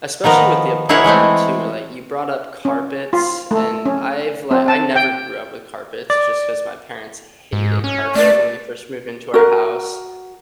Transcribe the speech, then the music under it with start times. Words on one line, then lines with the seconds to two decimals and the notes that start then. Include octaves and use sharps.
especially with the apartment too, like, you brought up carpets and I've, like, I never grew up with carpets just 'cause my parents hated carpet when we first moved into our house.
0.24 D#3 F3 B3 A#4
0.89 D#4 E4 G#4 A#4 C#5 F#5
1.04 E3 G#3 A3 C4
2.65 C#4
3.13 F4
3.51 A3
3.86 C#4
4.51 C4
4.68 A5
4.96 G5
6.10 D5
7.53 G#2
7.84 C#4
8.15 A3 D5
9.34 F#4 A#4